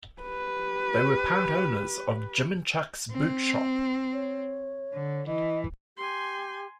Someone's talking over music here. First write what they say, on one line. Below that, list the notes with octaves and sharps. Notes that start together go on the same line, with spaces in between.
They were part owners of Jim and Chuck's Boot Shop.
G4 B4
C4
C#5
D3
E3 D#5
G4 G#5 C6